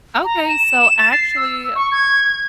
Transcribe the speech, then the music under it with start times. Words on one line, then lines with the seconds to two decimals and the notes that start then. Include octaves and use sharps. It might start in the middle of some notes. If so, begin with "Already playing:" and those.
Okay, so, actually,
0.25 A#5
0.48 E7
0.99 A6
1.12 C7
1.36 E6
1.75 C#6
1.92 G#6
2.29 G#6